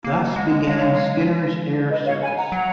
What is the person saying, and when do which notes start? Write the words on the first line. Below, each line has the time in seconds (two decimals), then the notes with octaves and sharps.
Thus began Skinner's Air Service.
0.04 A#3 C#5 F5
0.20 D#5 F#5
0.35 G#3 D#5 F#5
0.51 D#5 F#5
0.66 G#3 C#5 F5
0.93 F#3
0.97 G#3
1.90 B4 D#5
2.05 C#5 F5
2.21 G#5 B5
2.36 F#5 A#5
2.52 F#3 F#5 A#5